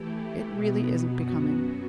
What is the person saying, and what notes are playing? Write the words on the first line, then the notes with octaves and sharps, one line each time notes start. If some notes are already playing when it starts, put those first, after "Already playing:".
"It really isn't becoming."
Already playing: E3 A3 E4 G4
B2 F#3 B3
F#2 F#3 B3 F#4